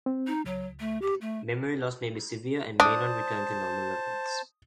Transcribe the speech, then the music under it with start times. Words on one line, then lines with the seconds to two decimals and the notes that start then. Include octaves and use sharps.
Memory loss may be severe and may not return to normal levels.
0.06 C4
0.27 D#4
0.46 C#2 F#3
0.80 A3
1.02 G4
1.21 A3
2.80 D4 C5 A5 D#6